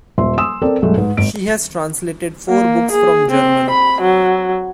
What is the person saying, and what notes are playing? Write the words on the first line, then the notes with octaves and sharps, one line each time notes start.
She has translated four books from German.
D#1 E5 C6
G#5 C6 D#6 E6 E7
C4 A4 A#4 D5
B1 G2 G#3 A3
G#2 B4
G#1 D7
A#3
G#4
C4
B5
F#3